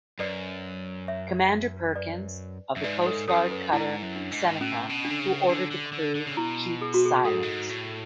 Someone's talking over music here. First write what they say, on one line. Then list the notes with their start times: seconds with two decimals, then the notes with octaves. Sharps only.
Commander Perkins of the Coast Guard cutter Seneca, who ordered the crew keep silent.
0.19 F#2 B4 D5
1.08 C#5 E5
1.96 B4 D5
2.75 F#2 E5
2.84 G#2 B4 D5
3.06 A4 C#5
3.28 F#2 A4 C#5
3.51 B4
3.72 G#2 E4
4.02 F#2
4.16 D4
4.31 G#2
4.61 A2 C#4
4.90 B2
5.05 D4
5.10 D3
5.20 C#3
5.49 D3 D4
5.71 D3
5.93 D3
6.15 D3
6.27 C#3
6.37 B2 E4
6.82 G#4
6.94 F#4
7.05 G#4
7.25 G#2 A4
7.34 F#2
7.43 G#2
7.70 A2